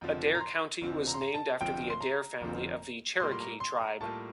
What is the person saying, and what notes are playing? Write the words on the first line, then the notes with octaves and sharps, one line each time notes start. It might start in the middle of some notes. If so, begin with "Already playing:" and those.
Adair County was named after the Adair family of the Cherokee tribe.
F1 F2 D3 F3 C4
A#5
C6
F1 F2 D3 F3 C4
A#5
C6
A#5
A5
F1 F2 D3 F3 C4 G5
C6
A#5
F1 F2 D3 F3 C4
A2 G3 A#3 F4 C6
C6
A#5
C6
A#5
A2 G3 A#3 F4 A5